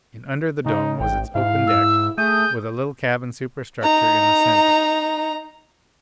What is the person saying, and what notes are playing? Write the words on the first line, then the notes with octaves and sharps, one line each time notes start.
And under the dome was its open deck with a little cabin superstructure in the center.
C#3 D#4
A1 G5
G#2 E4 F5
E6
A3 G#4 D#6 G6
D#4 A#5